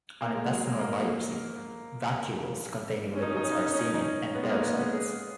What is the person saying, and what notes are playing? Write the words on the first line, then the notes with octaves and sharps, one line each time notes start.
On intestinal biopsy, vacuoles containing lipids are seen in enterocytes.
A#3
G#3
F#3
G#3
A#3
C#4
D#4
C#4
D#4
C#4
D#4
C#4
D#4
C#4
D#4
C#4
D#4
C#4
B3
G#3
A#3
B3
C#4
G#4